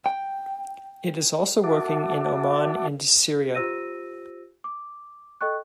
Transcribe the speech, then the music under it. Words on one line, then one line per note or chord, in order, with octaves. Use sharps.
It is also working n Oman and Syria.
G5
F#4 E5 F#5 A5 D6
F4 G4 C5 E6 A#6 D#7
D6
A4 D#5 G5 C#6 F#6